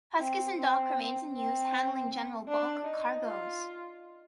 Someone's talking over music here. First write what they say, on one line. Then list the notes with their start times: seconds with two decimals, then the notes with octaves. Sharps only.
Huskisson Dock remains in use, handling general bulk cargoes.
0.19 C4
0.57 C4
1.33 C4
2.48 D4
2.86 D#4
3.25 F4